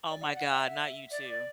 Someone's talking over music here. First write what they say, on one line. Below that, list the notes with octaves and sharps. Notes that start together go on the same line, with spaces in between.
Oh, my God, not you, too.
D5
F#5
F#5
F#5
E5
D5